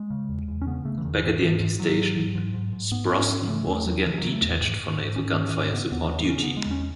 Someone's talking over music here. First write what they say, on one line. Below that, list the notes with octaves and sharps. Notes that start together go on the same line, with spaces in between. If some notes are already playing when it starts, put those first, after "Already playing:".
Back at Yankee Station, "Sproston" was again detached for naval gunfire support duty.
Already playing: G#3
C#3
E2
E2
C#4
C#3 B3
C#3 A3
E3
E2 D#3
G#2 E3
G#2
G#2
G#2 F#3
G#2
G#2
G#2
G#2
G#2
G#2 B3
G#2
C#4
G#2
C#3 A3
E2 A3
E2 F#3
C#3 E3
C#3 F#3
A3
E2
G#2
G#2
G#2
G#2 C#4
G#2
G#2
C#3 B3
E2 B3
E2 B3
C#3 C#4
C#3 B3
G#3
E2
C#4